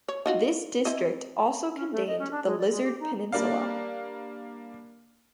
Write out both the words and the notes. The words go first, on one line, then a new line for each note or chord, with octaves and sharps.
The district also contained the Lizard Peninsula.
C#5
D#4 F4 F#4
C4 E4 D#5
C#4
A3
D#5
C#4
D4
G#3
D5
G#3
G4
D#4
G3 A#3 D4 F5